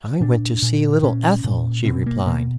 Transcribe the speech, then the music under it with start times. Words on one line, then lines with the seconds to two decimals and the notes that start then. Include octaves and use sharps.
"I went to see little Ethel," she replied.
0.21 A#2 D4
0.62 A#2
1.03 A#2 C#4
1.44 A#2
1.85 B2 C4
2.06 A#3
2.26 B2 A#3